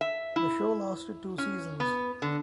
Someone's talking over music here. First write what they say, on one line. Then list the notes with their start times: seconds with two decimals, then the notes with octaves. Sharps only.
The show lasted two seasons.
0.01 E5
0.36 E4
1.38 C#4
1.80 B3
2.22 D3